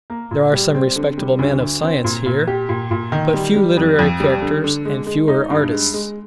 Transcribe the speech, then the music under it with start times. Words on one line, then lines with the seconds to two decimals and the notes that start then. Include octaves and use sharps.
There are some respectable men of science here, but few literary characters, and fewer artists.
0.10 A#3
0.31 A#2
0.53 G3
0.75 C4
0.96 D3
1.18 G3
1.39 D2
1.60 D2
1.83 C4
2.04 A#2
2.26 A#2
2.47 G4
2.69 A#2
2.91 A#2
3.12 D#3
3.34 G3
3.56 G3
3.77 F2
3.99 F2
4.20 G3
4.42 D3
4.64 D3
4.85 G#3
5.07 G#3
5.28 D#4
5.50 G2
5.72 G#3
5.94 G#3